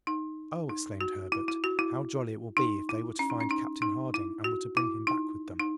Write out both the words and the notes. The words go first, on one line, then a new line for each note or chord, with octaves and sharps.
"Oh!" exclaimed Herbert, "how jolly it will be if they were to find Captain Harding and were to bring him back with them!"
D#4
D#4
F#4
E4
E4
F#4
E4
D#4
E4
C#4
D#4
C#4
D#4
D#4
E4
F#4
E4
D#4
D#4